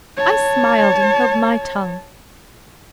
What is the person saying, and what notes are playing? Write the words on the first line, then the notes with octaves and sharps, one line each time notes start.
I smiled and held my tongue.
C#5 A5